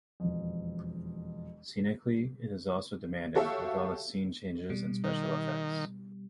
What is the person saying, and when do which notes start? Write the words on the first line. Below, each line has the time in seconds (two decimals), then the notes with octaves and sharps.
Scenically, it is also demanding, with all the scene changes and special effects.
0.20 E1 F2
3.35 F#4 G4 A4 C#5 E5 F5
4.70 B2 G3
5.04 D#3